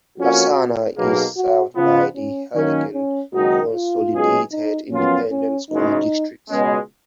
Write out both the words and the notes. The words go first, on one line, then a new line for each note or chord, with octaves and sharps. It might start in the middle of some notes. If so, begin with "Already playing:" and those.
Lasana is served by the Harlingen Consolidated Independent School District.
F2 F3 A#3 C#4 F#4
B1 B2 A#3 G#4
F#4
C#3 F3 B3 F4
C#4
F#2 D#3 A#3 C#4
C#4
F#1 F#2 D#3 G#3 D#4 F#4
F4
B1 B2 G#3 C#4 G#4
D#4
F#2 F3 B3 C#4 F4
C#4
F#1 F#2 C#3 G#3 D#4
C#2 B2 G#3 C#4